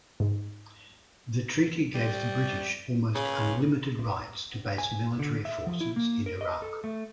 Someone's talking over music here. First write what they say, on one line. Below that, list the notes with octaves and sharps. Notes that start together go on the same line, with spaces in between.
The treaty gave the British almost unlimited rights to base military forces in Iraq.
G#2
G3
C#3
G#5
D3
E5
F3
E4
A#3
A#4
D#5
A4
A3